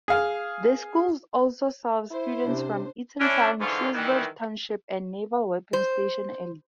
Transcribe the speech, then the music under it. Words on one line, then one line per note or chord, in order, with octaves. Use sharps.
The school also serves students from Eatontown, Shrewsbury Township and Naval Weapons Station Earle.
G#4 F5
E4 C5
C3 C#4 D4 C#5
C#4 D4 E4
G#2 D3 E3 C#4 F4
D#3 E3 G3
C5